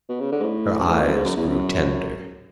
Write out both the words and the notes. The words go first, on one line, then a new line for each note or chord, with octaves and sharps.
Her eyes grew tender.
B2
C#3
D3
G#2
A2
F#2
G#2
A2
B2
F#2
G#2
F#2
E2
F#2